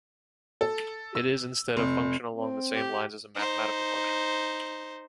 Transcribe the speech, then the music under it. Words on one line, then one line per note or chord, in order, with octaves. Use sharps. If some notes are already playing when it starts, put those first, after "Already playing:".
It is, instead, a function along the same lines as a mathematical function.
A4
E6
F1
C4
G4
D#4 C5